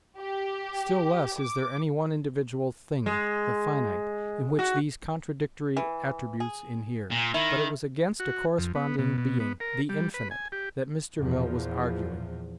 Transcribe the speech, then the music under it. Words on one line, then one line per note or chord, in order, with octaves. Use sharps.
Still less is there any one individual thing, "The Finite," in which these contradictory attributes inhere. But it was against a corresponding being, "The Infinite," that Mr. Mill was arguing.
G4
D6
G#3
F#4
E3
G#4
A#2
D#3 E4
F#4
F2
B3
B2
B2
B3
A#4
G3
B4
G#5
G4
E2 A#2 F3